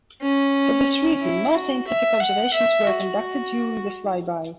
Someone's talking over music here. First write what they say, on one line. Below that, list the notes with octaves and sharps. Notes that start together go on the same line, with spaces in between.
For this reason, no scientific observations were conducted during the flyby.
C#4
E4
F#4
E5
F#5
E5
F#4